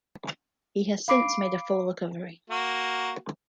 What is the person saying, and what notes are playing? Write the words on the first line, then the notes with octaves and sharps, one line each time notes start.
He has since made a full recovery.
F5 B5 D6 C7 D7
A#3 F#4